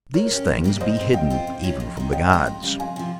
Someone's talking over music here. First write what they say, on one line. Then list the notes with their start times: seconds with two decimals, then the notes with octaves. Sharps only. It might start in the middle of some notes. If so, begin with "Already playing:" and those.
These things be hidden even from the gods.
0.14 G#3 A#4 C#5
0.31 C#4 G4
0.47 F2
0.64 C3 G3 A#3
0.80 G#2 C5 D#5
0.97 G3 C4
1.13 G3 D#5 G5
1.30 C4 F4 C5
1.47 C3
1.63 D#3 G3 C#4 F4
1.80 F2
1.97 C3 D#3
2.13 F2 D#5 G5
2.29 D#3 G#3
2.47 F2
2.63 C#3 G3 A#3
2.79 F2 F5 G#5
2.96 C3 F3